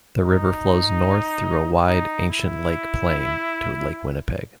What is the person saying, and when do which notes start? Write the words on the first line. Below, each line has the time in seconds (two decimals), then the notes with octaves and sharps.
The river flows north through a wide ancient lake plain to Lake Winnipeg.
0.22 D#4
1.88 D#4
2.30 E4